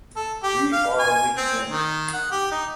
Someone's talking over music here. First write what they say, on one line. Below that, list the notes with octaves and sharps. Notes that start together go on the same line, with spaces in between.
We are Legion!
A4
G4
F5
G#5
C4
D#3
F#5
G4
D#4